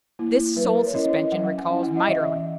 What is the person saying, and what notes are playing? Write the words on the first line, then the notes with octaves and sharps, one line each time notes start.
This soul-suspension recalls Maeterlinck.
A#3 E4
F#3 B4
A#4
C#5
C#4 E4 D#5
D#5
F#3 F#5
G#5
C#4 E4
F#5
D#5
E3 E5